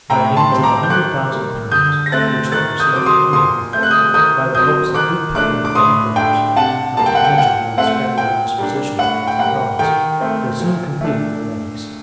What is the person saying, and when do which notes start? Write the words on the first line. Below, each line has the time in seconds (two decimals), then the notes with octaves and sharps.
By means of a hundred thousand pounds, which they received from England; by the hopes of good pay and warm quarters; not to mention men's favorable disposition towards the cause; they soon completed their levies.
0.10 A2 G5 A#5
0.36 A5 C6
0.50 G3 C4
0.63 A#5 D6
0.83 G6
0.90 D#3 D6 F#6
1.31 G3 A#3
1.71 D3 D#6 G6
2.06 A#6
2.12 A3 C4 F#6 A6
2.52 D#3 F#6 A6
2.80 D#6 G6
2.93 F#3 C4 D6
3.06 C6 D#6
3.33 A#2 C6 D#6
3.73 A3 C4 G6
3.83 F#6
3.90 D#6 G6
4.14 D#3 D#6 G6
4.55 F#3 C4 D#6 G6
4.94 D#3 D6 F#6
5.35 A3 D4 D6 F#6
5.65 D6
5.75 A2 C6 D#6
6.16 A3 D4 G5
6.56 C3 F#5 A5
6.97 G3 A#3 A5
7.06 G5
7.15 F#5
7.24 G5
7.38 A#2 F#5
7.77 A3 C4 F#5
8.18 A#2 G5
8.58 G3 A#3 D4
8.99 A2 F#5
9.27 G5
9.39 G3 A#3 F#5
9.79 D#3 G5
10.20 A3 C4
10.60 A#2
11.01 A3 D4